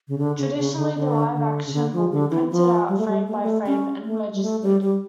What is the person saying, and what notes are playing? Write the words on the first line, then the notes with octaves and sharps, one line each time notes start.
Traditionally, the live action will be printed out frame by frame and registered.
C#3
D3
C#3
C#3
D3
D3
D3
C#3
D3
F3
D3
E3
F3
G3
A3
G3
A3
A#3
A3
C#4
A3
G3
A3
G3
G3